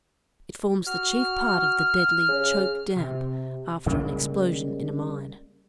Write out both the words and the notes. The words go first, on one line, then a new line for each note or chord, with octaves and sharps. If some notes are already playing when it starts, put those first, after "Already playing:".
It forms the chief part of the deadly 'choke damp' after an explosion in a mine.
F#4 F6
C#3
C3
C#3 G3 G#3 A#3